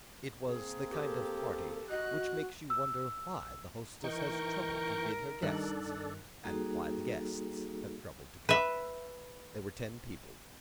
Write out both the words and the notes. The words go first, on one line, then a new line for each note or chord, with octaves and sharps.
It was the kind of party which makes you wonder why the hostess has troubled to bid her guests, and why the guests have troubled to come. There were ten people.
A#3 C4 G#4 A#4
G4 A4
F#4 D#5 F#6
E6
E3 D#4 A#4 G5 C#6
G2 D#3 D4 A4 F#6
G3 A#3 D#4 F#4 G#4 A4
B4 E5